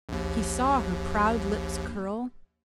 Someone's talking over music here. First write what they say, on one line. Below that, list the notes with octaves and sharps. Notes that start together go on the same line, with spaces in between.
He saw her proud lips curl.
A#1 D#2